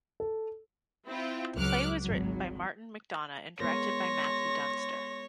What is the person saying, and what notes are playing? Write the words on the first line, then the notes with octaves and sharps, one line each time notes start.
The play was written by Martin McDonagh and directed by Matthew Dunster.
A4
C4 E4 F4
C#2 F#3 D6 F6 F#6
G#1 F#3
G#3 B3 A#4 C#5 C6 A#6